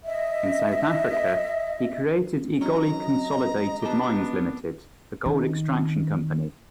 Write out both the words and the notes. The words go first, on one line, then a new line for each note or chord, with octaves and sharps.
In South Africa, he created Egoli Consolidated Mines Limited, a gold extraction company.
D#5 E5
F#3 C#4 D#5 A#5
B3 D4 G4 A5
D#3